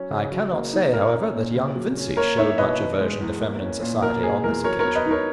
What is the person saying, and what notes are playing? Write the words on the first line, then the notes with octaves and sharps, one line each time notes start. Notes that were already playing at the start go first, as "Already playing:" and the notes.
I cannot say, however, that young Vincey showed much aversion to feminine society on this occasion.
Already playing: F#3 C#4
C#3
F#3
A#3
D#4
A#3 A#4
C#4
A#2
C#3
F#3
C#4
A#3 A#4 C#5
D#4 C#5 E5
B2 B4 D#5
D#3
G#3
E2
A#3
C#4
A#2
B2 A#4
A#3 G#4
E2 A#4
F#3 A#4 C#5
A#4 C#5
B3
B4 D#5
D#4
A#4 C#5